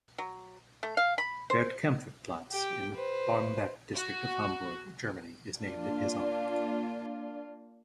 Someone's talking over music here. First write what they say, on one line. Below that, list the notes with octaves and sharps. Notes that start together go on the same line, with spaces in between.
Bert-Kaempfert-Platz, in the Barmbek district of Hamburg, Germany, is named in his honour.
F#3
A3
F5
B5
C5
G4 G5
B4 C5
F#4
A#3 D4 F4